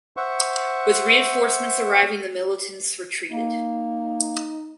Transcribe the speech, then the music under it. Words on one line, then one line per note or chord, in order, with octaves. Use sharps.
With reinforcements arriving the militants retreated.
C5 E5 F#5 C#6
A#3 D#4